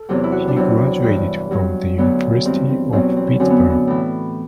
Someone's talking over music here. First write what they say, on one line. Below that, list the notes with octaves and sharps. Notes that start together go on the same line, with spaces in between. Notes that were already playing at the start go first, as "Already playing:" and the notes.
He graduated from the University of Pittsburgh.
Already playing: A4
E2 C3 F#3 G4
E4
F#4
D4
E2 C3 F#3 E4
G2 E3
G2 F#3
D2 D3 F#3 B3
G2 E3 C4
C4
E2 B2 F#3 C4
C4
F#2 D3 F#3 C4
B3
B3
A2 E3